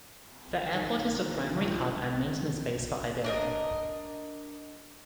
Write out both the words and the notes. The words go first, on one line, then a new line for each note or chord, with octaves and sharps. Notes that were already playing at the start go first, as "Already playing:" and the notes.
The airport is the primary hub and maintenance base for Iberia.
D#3
A2 D4
C#2
D4 A#4 D#5